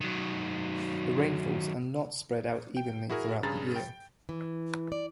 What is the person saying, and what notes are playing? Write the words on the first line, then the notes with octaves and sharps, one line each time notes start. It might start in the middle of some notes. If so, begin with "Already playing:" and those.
The rainfalls are not spread out evenly throughout the year.
D#3 F#3
G5
E4 F#4 G#4 A#4
G2 C#3 G#4 A#5 A6
G5
E3
D5